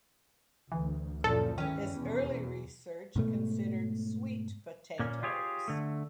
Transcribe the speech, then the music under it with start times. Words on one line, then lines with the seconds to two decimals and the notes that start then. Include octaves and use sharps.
His early research considered sweet potatoes.
0.72 D2 E3
1.24 F#2 A#2 F3 A4
1.58 G#2 D#3 E3 C#4 G4
1.92 E2 B2
3.16 G#2 B2 A3
4.99 A#2 A#3 C#4
5.23 F4 G4 G#4 C#5
5.68 D3 A3